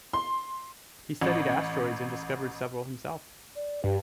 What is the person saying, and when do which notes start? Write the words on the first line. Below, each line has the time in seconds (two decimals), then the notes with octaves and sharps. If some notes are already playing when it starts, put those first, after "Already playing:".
He studied asteroids and discovered several himself.
0.13 C6
1.21 A1
3.56 D5
3.84 G2 G4